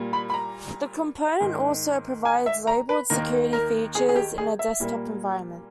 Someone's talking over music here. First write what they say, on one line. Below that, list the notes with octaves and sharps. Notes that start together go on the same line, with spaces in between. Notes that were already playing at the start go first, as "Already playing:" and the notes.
The component also provides labeled security features in a desktop environment.
Already playing: A#2 G3 A#3
B5
B5
A#5
G#2 D#3 G#3
G#5
E5
A#5
B4
D#2 D#3 A#3 A#4
A#4
G#4
G#4
G4
G#4
E5
A#2 G3 A#3